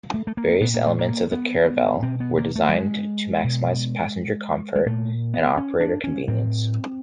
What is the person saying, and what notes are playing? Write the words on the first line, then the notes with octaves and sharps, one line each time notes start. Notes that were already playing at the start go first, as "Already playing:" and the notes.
Various elements of the Caravelle were designed to maximise passenger comfort and operator convenience.
A3
A3
A#3
A#2 B3
A#3
A3
A#3
B3
B2 C4
B3
A#3
A3
G3
G#3
B2
G#3
A#2 A3
B3
C#4
D4
C#4
A2 C4